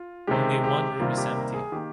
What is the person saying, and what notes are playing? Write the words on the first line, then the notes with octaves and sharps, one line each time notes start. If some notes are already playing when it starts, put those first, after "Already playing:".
Only one room is empty.
Already playing: F4
C3 D#3 G#3 G4
G4
C3 D#3 G3 A#3 F4
G4
A#4
G#4
D#3 A#3 G4